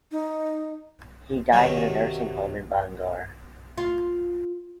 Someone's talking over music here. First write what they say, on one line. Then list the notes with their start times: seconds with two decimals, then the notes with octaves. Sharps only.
He died in a nursing home in Bangor.
0.12 D#4
1.52 C3 D#3 F#3
3.77 F4